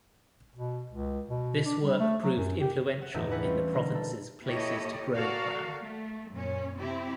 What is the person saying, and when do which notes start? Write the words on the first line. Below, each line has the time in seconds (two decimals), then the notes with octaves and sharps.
This work proved influential in the Province's Places to Grow Plan.
0.55 B2
0.89 C#2
1.30 B2
1.65 D4
1.82 G3
2.00 A3
2.24 F#3
2.37 F#2
2.61 G4
3.02 F#5
3.14 G1 E2 A2 B3 D#4 E5
3.31 D4 E4 G#4 B4 F#5
3.44 G3 A3 C4 C#4 F4
3.73 B2 D3 A#3 D#4
3.95 A4
4.44 A#3 E4 G4 A4 C#5 D#5
5.14 F#4 A4 A#4 D5 F5
5.81 A3
6.30 F#2 A#2 C#4
6.77 C3 C4 E4 G4